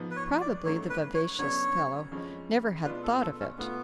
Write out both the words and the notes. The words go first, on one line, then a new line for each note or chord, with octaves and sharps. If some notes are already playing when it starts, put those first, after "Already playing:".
Probably the vivacious fellow never had thought of it.
Already playing: G#2 F3 B3
B4
C#5
D5
G#2 F#3 A3 C#4 C#5
B4
C#5
D2 C#3 F#3 B3 D4 C#5
F2 F3 G#3 C#4
B2 G#3 B3 D4 F4 B4
A4
A4
C#4
B2 A3 B3 F4